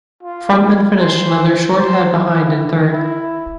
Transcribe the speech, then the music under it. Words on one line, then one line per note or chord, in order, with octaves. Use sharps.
Frontman finished another short head behind in third.
F4
C5
C5
E4
E4